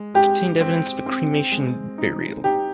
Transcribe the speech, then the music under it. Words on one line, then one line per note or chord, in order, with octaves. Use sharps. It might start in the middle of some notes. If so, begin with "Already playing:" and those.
It contained evidence of a cremation burial.
Already playing: G#3
G#3 G4
C4
C4
G#3
D#4
D#4 G4